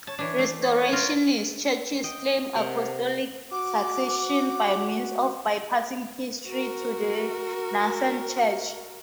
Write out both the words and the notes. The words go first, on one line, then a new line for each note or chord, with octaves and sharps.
Restorationist Churches claim apostolic succession by means of bypassing history to the nascent Church.
C#5 A5
E3 D4 C#5
A3
C#5
F4 A#4
D#5 G5
C3 A#4 F#5
F#4 D6
F#4 A#4